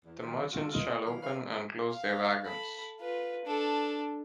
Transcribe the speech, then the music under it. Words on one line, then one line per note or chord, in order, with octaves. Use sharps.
The merchants shall open and close their wagons.
E2
D#3 F#3
G#3 F4 F#4 A4
F4 A#4 B4 D#5
D#3 F#3 G3 E4 B4 F5
G3 C#4 B4 F5
F5
A4 B5
F4 B4
D4 A4